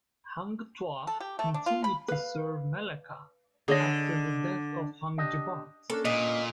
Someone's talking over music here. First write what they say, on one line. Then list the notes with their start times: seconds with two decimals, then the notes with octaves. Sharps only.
Hang Tuah continued to serve Melaka after the death of Hang Jebat.
1.07 A4
1.20 G4
1.39 A3
1.54 D4
1.66 F4
1.84 B5
2.08 B4 F5
3.68 D3 G#4 C#5 D#5
5.18 D4 G4 D#5
5.90 A#3 C#4 D4 A4
6.05 A#2 D#5